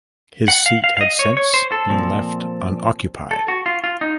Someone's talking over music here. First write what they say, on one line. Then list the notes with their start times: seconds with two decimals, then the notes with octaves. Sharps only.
His seat had since been left unoccupied.
0.48 F#5
0.66 F5
0.84 F5
0.97 F5
1.01 D#5
1.19 C#5
1.37 C#5
1.54 C5
1.72 A4
1.89 A#2 F3 C4
3.31 A4
3.48 F#4
3.66 F4
3.84 F4
4.01 D#4